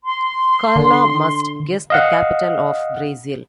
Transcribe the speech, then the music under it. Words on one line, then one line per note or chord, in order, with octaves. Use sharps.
Karla must guess the capital of Brazil.
C6
D3
D#5 F5 F#5